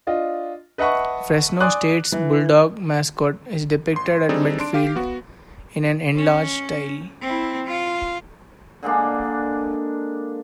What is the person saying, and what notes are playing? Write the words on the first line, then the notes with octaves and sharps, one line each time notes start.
Fresno State's Bulldog mascot is depicted at midfield in an enlarged style.
D4 F4 D#5
B4 D#5 E5 F#5 A5 C#6
D5 G#5 C6 D6 D#6 F#6
E3
G#1 C6
G3 C4 D4 D#4 G#4 A4
D4 C6 D7
G4 F5
B3 F#4
C#4
C4 E4
F4
D3 G#3 A#3 D4